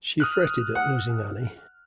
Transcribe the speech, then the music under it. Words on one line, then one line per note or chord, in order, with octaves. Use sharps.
She fretted at losing Annie.
D#6 F6 F#6
F#5